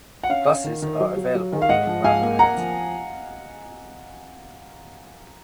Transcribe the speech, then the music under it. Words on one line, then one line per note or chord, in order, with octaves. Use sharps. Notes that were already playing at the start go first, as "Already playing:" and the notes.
Buses are available in Rampurhat.
F#5
C#4 F5
C#4
D#3
D#3
F#3
F#3
F#3
D#3
F5
G#2 D#5 F#5
F3
G#2 F5 G#5
A#3
A#3 F#5 A#5
F3